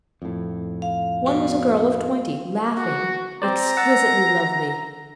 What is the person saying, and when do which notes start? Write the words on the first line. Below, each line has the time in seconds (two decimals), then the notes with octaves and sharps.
One was a girl of twenty, laughing, exquisitely lovely.
0.22 F2 A2
0.82 F5
1.26 B2
2.76 F#4
3.42 C4 C5 D5 A#5
3.77 F#5 E6 A6